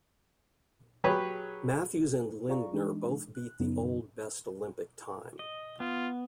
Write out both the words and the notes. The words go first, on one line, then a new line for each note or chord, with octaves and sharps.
Matthews and Lindner both beat the old best Olympic time.
F#3 G4 G#4 B4 C#5
F4 G#4 D5 F5 A#5 C#6
E3 G#3 D4 D#4
F#6
F#2 C#3 F#3 B3 D#4
D#5
B3 F4